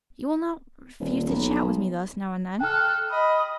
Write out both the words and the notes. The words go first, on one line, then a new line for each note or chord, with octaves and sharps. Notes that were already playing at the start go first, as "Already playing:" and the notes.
"You will not refuse to chat with me thus now and then?"
D#1
B1
A4 G5 F6 F#6
D#5 B5